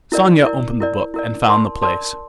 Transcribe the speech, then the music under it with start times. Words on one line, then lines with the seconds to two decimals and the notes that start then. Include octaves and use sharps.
Sonia opened the book and found the place.
0.12 E4 A#4 D5
0.46 E4 A#4 D5
0.80 E4 A#4 D5
1.14 E4 A#4 D5
1.48 A#4 D5 A5 C6
1.82 A#4 D5 A5 C6